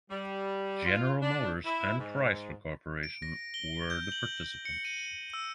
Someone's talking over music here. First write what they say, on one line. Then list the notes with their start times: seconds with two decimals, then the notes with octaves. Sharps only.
General Motors and Chrysler Corporation were the participants.
0.11 G3
0.85 F4
1.22 D4
1.65 E4
1.98 G#2
3.03 D7
3.22 A#6
3.54 G7
3.90 G6
4.12 F#7
4.65 C#7
4.85 D#7
5.34 E6